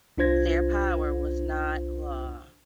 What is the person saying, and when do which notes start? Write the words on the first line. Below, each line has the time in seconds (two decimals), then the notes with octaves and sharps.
Their power was "not" law.
0.18 C2 D4 F4 C5 G#6 A#6